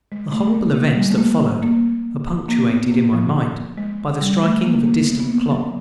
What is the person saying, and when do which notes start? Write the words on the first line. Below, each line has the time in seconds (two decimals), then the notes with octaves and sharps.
The horrible events that followed are punctuated, in my mind, by the striking of a distant clock.
0.12 G#3
0.32 A3
0.48 A3
0.54 A#3
0.76 A#3
0.94 G3
1.01 G#3
1.11 A3
1.18 A#3
1.62 A#3
2.48 A#3
2.70 B3
2.92 A#3
3.13 F3
3.78 G#3
4.21 G3
4.43 A3
4.64 A#3
4.86 A#3
5.07 B3
5.20 B3
5.29 A#3
5.51 F#3